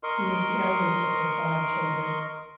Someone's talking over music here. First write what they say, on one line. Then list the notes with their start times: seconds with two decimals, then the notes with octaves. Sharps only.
He was the eldest of their five children.
0.03 A#4 D#5 C6 C#6